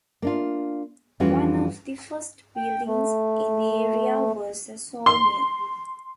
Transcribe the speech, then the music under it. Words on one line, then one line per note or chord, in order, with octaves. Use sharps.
One of the first buildings in the area was a sawmill.
A#3 D4 F4
F2 E3 G3 C#4 F4 F#4
G5
A3
C6